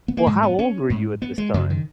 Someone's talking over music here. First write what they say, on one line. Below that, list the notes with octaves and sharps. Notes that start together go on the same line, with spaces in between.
Well, how old were you at this time?
B3
A#3
G#2 G#3
B3
C#4
G#2
B3
G#3
F#2 C#3 F#3
D#3